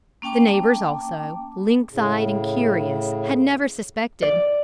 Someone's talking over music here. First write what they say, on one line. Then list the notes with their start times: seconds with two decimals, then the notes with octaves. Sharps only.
The neighbours also, lynx-eyed and curious, had never suspected.
0.22 A#3 C#4 G5 A5 D6
1.92 A2 C#3
4.22 D5